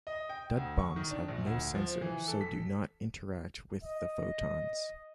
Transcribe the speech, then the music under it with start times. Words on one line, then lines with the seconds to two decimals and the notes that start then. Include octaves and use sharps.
Dud bombs have no sensor, so do not interact with the photons.
0.07 D#5
0.29 G5
0.57 D2
0.79 C#6
0.96 D#3
1.11 D4
1.28 A#1
1.46 D2
1.75 F3
2.02 E3
2.28 A4
2.41 B6
3.84 D#5